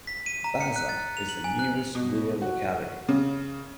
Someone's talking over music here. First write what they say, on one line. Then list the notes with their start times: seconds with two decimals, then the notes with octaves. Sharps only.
Baza is the nearest rural locality.
0.07 B6
0.26 D#7
0.44 A#5
0.61 C#7
0.76 F#6
0.89 A6
1.17 F7
1.29 F#7
1.44 G#5
1.59 F#6
1.95 B2
2.42 F#4
3.09 C#3